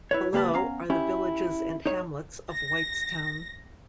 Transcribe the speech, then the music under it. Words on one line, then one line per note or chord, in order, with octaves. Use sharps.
Below are the villages and hamlets of Whitestown.
E4 B4 C#5
C#2 A#3 G4 B4 A5
B3 C#4 F5 A#5
C#4 E4 G4
D#4 C#5
A#6